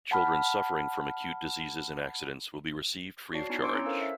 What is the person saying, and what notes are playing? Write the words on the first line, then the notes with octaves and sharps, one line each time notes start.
Children suffering from Acute Diseases and Accidents will be received free of charge.
F#5 A5 B5 F6
F#4 C#5 D5 A5 C7
B3 D#4 E4 G#5
D4 C6 D6 E6 C#7 D7
C#4 E4 C#5 A#5
A4 A#4 C5 F5 E6
E5